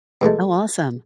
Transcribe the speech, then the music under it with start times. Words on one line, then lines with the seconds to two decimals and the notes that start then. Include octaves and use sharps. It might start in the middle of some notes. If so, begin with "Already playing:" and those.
Oh, awesome.
0.21 B2 E3 G#3 A3